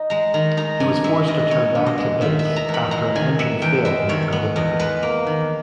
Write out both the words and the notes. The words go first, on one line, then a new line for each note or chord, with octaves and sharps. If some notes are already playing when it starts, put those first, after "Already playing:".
He was forced to turn back to base after an engine failed near Gallipoli.
Already playing: D#4 D#5
G#3 A#5
D#3 A#5
D#4 A#5
G2 G#5
G#3 E5
D#3 D#5
D#4 C#5
G2
D#5
G#3
D#3 E5
E5
B3
A#5
E2
B5
G#3 A#5
D#3 G#5
B3 E5
E2 G5
G#3 E5
D#3 C#5
B3
E2 D#5
G#3 B4
A#3
D#3